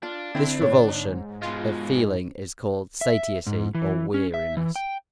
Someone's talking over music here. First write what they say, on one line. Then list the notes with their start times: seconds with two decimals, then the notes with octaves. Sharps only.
This revulsion of feeling is called satiety or weariness.
0.03 D4 F4
0.35 D3 C4 E4
0.62 A2 C#5
0.88 G#2
1.42 B2 G#3 F4
3.01 E5
3.47 G#2
3.75 E3
4.14 C#4
4.34 E5
4.57 E3
4.76 G5